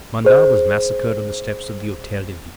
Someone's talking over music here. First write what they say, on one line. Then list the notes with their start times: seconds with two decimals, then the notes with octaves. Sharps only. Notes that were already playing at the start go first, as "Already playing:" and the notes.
Mandat was massacred on the steps of the Hotel-de-Ville.
0.25 G#4 C5